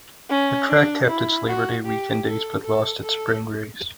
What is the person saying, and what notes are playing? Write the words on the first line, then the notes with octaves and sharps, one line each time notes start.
The track kept its Labor Day weekend dates but lost its spring race.
C#4
D4
E4
F#4
G4
A4
A4
A4